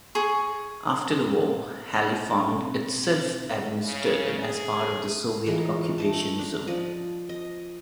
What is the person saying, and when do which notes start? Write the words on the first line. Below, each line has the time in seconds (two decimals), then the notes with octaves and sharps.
After the war Halle found itself administered as part of the Soviet occupation zone.
0.15 G#4 C#6
2.56 B2 C4
3.84 C#3
4.39 G#4
5.47 E3 G#3 F4 A#4
5.98 A3 D#5 A5
6.39 D4 A#5
6.67 F3 D5 D#5
7.29 D#5